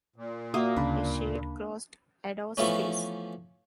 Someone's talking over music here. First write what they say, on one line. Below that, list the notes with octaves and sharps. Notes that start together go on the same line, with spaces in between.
A shade crossed Ada's face.
A#2
A#3 F#4 E5 D#6
D2 C#3 D4 B5
E3 F3 A3 B3 C#4